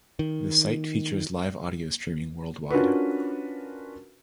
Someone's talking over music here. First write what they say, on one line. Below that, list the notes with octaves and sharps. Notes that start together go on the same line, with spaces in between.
The site features live audio streaming worldwide.
D#3
C#4 D4 F4 F#4 A#4 B4